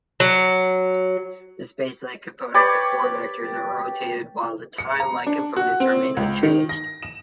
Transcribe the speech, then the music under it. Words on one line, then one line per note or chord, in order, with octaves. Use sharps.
The spacelike components of four-vectors are rotated, while the timelike components remain unchanged.
F#3
G4 B4 C#5 D5
C#7
A#5
D4
F#4
C4
C#2
D#3
A#6
E7